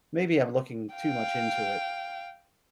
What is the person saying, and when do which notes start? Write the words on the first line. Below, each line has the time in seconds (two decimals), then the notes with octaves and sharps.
Maybe I'm looking too much into it.
0.94 F5 G5